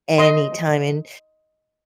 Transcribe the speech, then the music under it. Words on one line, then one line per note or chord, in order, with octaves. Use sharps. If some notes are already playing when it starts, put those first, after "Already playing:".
anytime in
D#5 C6